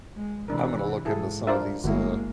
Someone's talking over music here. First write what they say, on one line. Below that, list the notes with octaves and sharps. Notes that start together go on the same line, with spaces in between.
I'm gonna look into some of these, uh
G#3
C3 E3 G#3 D4 A#4
G#2 E4 G#4 A4
D4 F4 A#4 C5 D5 E5
G1 G#3 A#3 E4 F#4